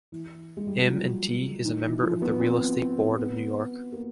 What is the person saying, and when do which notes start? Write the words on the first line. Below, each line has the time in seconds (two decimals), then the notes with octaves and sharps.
M and T is a member of the Real Estate Board of New York.
0.12 E3
0.57 G#3
0.67 G3
0.78 F#3
0.89 F3
1.65 D#3
1.84 E3
2.03 F3
2.22 B3
2.40 C4
3.17 B3
3.92 A#3